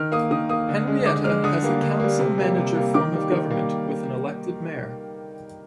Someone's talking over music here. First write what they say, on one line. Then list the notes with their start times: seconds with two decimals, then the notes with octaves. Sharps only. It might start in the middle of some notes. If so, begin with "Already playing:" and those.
Henryetta has a council-manager form of government with an elected mayor.
Already playing: D#3 F6
0.12 A#3 D#6
0.31 D#3 D#6
0.49 A#3 D#6
0.69 D3
0.87 G#3
1.06 D3 D6
1.24 G#3 F6
1.44 D3 D#6
1.62 G3 A#3
1.81 D3
2.00 G3 A#3
2.19 C3
2.38 G3 A#3
2.56 C3
2.75 G3 A#3
2.94 D#3 D6
3.14 G3 A#3
3.32 D#3
3.50 G3 A#3